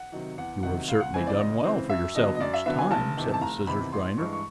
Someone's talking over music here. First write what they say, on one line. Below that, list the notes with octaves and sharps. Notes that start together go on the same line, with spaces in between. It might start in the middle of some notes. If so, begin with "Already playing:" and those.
"You have certainly done well for yourself each time," said the scissors-grinder.
Already playing: F#5
C3 D#3 F#3
E2 F#5
C3 D#3 F#3 F#5
C#2 F5
F#5
C#3 E3 G#3 C4 G#5
D5
C#2 D#5
C#3 E3 G#3 C4
F#2 E5
D3 F#3 B3 D#5
D#5
F#2 D5
E5
D3 F#3 B3 E5
G#5
F1 A5
E2 C3 D#3
A5
F1 A#5
E2 C3 D#3 B5
A1 C6
G2 E3 G#3 C#6
C#6